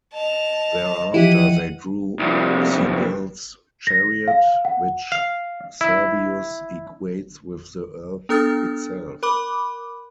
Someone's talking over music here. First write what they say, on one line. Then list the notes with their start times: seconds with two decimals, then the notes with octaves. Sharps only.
Thereafter they drew Cybele's chariot, which Servius equates with the Earth itself.
0.13 D#5 A5 F7
1.14 E3 F3 E4 G4 F#5 D#7
2.19 C2 F2
3.87 A#6
4.28 F5
4.65 F#5
5.12 F5
5.81 E4
8.29 B3 D4 A4 D#6 F6 A6
9.23 A#4 B5 D6